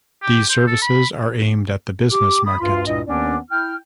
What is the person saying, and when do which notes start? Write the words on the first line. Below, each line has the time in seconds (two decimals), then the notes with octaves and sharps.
These services are aimed at the business market.
0.22 G4
0.49 C5
0.67 A4
0.82 B5
2.12 G4 D6
2.46 B5 D#6
2.61 D2 G2 F4 C6
2.87 C#2 G2 A#2 E4 D#5
3.08 D#2 D#3 B3 C#4 D4
3.51 E4 G5 F6